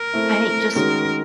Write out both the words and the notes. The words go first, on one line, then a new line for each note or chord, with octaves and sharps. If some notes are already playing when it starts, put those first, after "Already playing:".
I think just
Already playing: A#4
A3 C4 E4
D#3 G#3 C#4 F#4 A#4